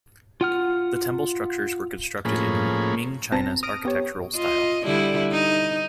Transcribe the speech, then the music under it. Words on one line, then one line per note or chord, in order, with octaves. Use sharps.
The temple structures were constructed in Ming China's architectural style.
F4 F#5 F6
A2 F3 A#3 C#4 G#4 B5
G#1 B2 C4 A5 A#5 A#6
D#6 F6 A#6 D7
B3 G4 C#5
F4 D#5
D3 G3 E4
D#4